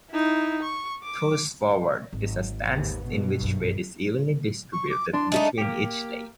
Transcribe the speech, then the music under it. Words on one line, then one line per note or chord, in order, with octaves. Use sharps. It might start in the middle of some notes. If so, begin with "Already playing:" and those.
Toes Forward is a stance in which weight is evenly distributed between each leg.
D#4 E4
C#6
D6
G#1
D#2 G#2 B3
G2 B2
A#1 F#2
C#6
D6
D4 C6
G#3 A3 D#4 A5
A#3 G4